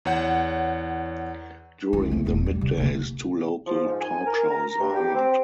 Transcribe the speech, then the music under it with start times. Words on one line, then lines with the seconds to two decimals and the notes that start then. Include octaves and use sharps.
During the middays, two local talk shows are heard.
0.05 E2 C#5 F#5 G6
1.93 C#2 E4
2.11 E3 A3
2.26 E1 A#1
2.46 G3
2.61 C3
2.77 C3 A#3
3.67 F3
3.84 G#2
4.00 G#5
4.26 A#4
4.51 A#5
4.81 G2
4.94 G4
5.15 C4